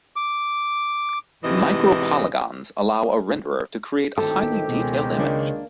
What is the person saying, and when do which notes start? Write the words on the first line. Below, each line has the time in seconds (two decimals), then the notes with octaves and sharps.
Micropolygons allow a renderer to create a highly detailed image.
0.16 D6
1.44 E2 G#2 C3 E3 D#5
4.18 D2 A2 D#3 F3 C4 G4 A4
4.68 C#2 B2 D#3 G#3
5.18 C#3 A#3 D4 C#5